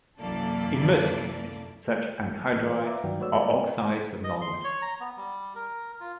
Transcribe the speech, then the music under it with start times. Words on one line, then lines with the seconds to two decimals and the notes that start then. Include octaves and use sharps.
In most cases, such anhydrides are oxides of nonmetals.
0.20 C2 F#2 E3 A#3 A4 D5
2.55 A2 E3
2.69 B4 C5
2.85 B4 E5 F5 A#5 D6
3.04 G2 D#3 F#3 F#4 D5 G5
3.20 A3 F#4 B4 C#5 D5 E6
3.38 G3 D5
4.24 D#5
4.41 C6
4.64 C#5
4.82 A#5
5.00 B3
5.17 G3
5.55 A#4
6.00 F4